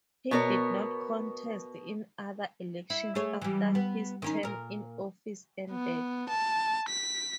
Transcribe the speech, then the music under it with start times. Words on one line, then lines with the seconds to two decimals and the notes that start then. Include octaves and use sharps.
He did not contest in other elections after his term in office ended.
0.31 B2 B3 A#4 C#5
2.90 E4
3.15 A3 G#4 C#5
3.42 E3 G3
3.75 B3
4.22 D#3 C#4 D#4
4.43 A#2 A#4
5.71 B3
6.29 A5
6.89 B6